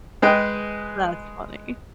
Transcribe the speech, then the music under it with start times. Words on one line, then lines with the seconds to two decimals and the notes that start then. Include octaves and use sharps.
That's funny.
0.22 G#3 G#4 B4 D#5 G5